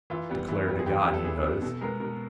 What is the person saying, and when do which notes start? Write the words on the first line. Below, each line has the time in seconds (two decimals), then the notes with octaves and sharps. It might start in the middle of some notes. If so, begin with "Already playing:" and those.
Declare to God he does.
0.10 E3 F4
0.30 G3 B3
0.48 E3
0.67 G3 B3
0.79 G#4
0.86 E3 G4
1.05 G3 B3
1.14 A4
1.24 E3 G#4
1.43 G3 B3
1.62 B2 A4
1.81 G#3 B3 A#4
2.00 B2 A#4